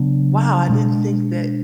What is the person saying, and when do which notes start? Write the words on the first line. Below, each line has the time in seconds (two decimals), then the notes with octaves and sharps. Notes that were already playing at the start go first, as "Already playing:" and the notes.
"Wow, I didn't think that
Already playing: C#3 F#3 B3 D4
0.69 B2 G#3 B3 D4